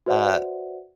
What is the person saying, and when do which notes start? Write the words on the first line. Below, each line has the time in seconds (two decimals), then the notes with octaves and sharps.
uh, eh,
0.06 F#4 B4 C5 D5 E5 F#5